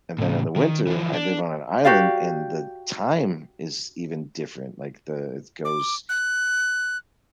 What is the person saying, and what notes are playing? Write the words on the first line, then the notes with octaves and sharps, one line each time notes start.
and then in the winter I live on an island and the time is even different, like, the it goes,
A2 C#3
D#3
E3 F3
D4
F#4 G4 D5 F5
D6
F#6